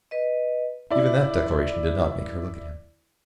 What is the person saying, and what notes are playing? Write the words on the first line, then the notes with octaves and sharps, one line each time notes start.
Even that declaration did not make her look at him.
B4 D#5
E4 D5